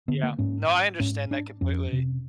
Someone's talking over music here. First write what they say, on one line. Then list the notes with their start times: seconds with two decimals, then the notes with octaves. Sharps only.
Yeah, no, I understand that completely.
0.08 D3 B3
0.23 A#3
0.39 G#2 C#4
1.00 G#2 C#4
1.31 D4
1.61 F2 C#4
1.93 C3